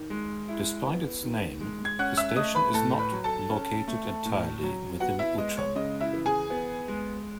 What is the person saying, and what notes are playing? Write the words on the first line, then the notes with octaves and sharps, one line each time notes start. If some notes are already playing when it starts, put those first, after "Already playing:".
Despite its name, the station is not located entirely within Outram.
Already playing: D#3
G#3
E4
B3
D#3
G#3
G#6
C#4 F#5 F#6
E5 E6
A3 D#5 D#6
B4 B5
A2 A4 A5
B4 B5
F#3
A4 A5
C#4
A3
A2
F#3
B3 F#4 F#5
E4 E5
G#3 D#5
C#5
C#3 D#5
E4 E5
E3
G#4 G#5
B3
G#3